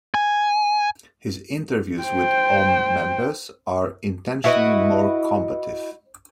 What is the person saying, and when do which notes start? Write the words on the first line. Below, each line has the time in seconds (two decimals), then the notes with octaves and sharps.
His interviews with Aum members are intentionally more combative.
0.14 G#5
2.02 C5 G5
4.44 E4 F#4 B4 D#5